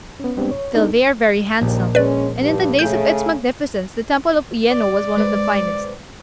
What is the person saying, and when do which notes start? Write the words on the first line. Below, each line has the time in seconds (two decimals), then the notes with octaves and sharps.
Still they are very handsome, and in the days of its magnificence the Temple of Uyeno was one of the finest.
0.20 B3 C#4
0.37 G3 G#3 B3 C4 D4 G4
0.51 C#5
0.74 B3 D4 D#4 G#4 A4
1.61 A#1 D#2
1.95 G#3 C#4 B4 D5
2.40 G2
2.79 C#3 A3 G6
4.71 D5
5.17 G#3 B4 C5